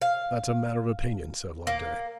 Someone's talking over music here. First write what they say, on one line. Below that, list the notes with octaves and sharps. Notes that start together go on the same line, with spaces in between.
'That's a matter of opinion,' said Loveday.
F5
A#3